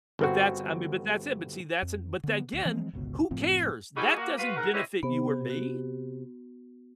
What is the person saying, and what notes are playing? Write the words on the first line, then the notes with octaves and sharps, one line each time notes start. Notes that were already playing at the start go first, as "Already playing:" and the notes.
But that's I mean, but that's it but see, that's an but again, who cares? That doesn't benefit you or me.
G1 C4 F#4
F2
D3 B3
D2
E3 F3 G#3 C4
G1 C#2 B2
F#1 A2 F3 C4
G3 D#4 E4 F#4 G#4
A#3 F#4
F4 F#4 B4
G#2 A#4 F#5
C4 E4 G4 B4 C#5 D#5
C3 B3
F#4